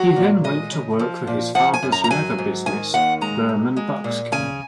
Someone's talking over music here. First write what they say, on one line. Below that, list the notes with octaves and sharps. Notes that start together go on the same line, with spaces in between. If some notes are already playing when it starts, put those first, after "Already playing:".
He then went to work for his father's leather business, Berman Buckskin.
Already playing: F#3 F#4
A#2
G#3 D#5
C#3
F3
A#2
F3 F#5
G#5
F#2
A#5
A#5
F#3 G#5
G#2
D#3 G#5
D#2 F#5
G#3 A#5
B2
G#3
A#2
C#3 G#5